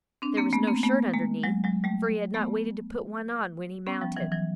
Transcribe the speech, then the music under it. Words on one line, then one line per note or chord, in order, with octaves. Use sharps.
There was no shirt underneath, for he had not waited to put one on when he mounted.
C4 D4
A#3 C4
A3 B3
A#3 C4
A3 B3
G#3 A#3
F#3 G#3
F#3 G#3
G3 A3
A3 B3
B3 C#4
F3 G3
E3 F#3
E3 F#3